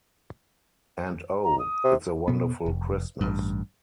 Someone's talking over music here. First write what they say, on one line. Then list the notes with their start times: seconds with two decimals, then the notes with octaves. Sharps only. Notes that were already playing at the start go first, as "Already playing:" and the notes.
And oh, it’s a wonderful Christmas.
1.43 A#5
1.59 D#6
1.84 C3
2.28 B2 B3
2.66 F1
3.21 A1 G2